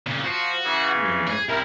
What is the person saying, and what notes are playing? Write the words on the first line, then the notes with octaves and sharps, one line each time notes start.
You know?
A#2 C#3
F3 F#4
C#3 E3
G#4
C2 E4 A#4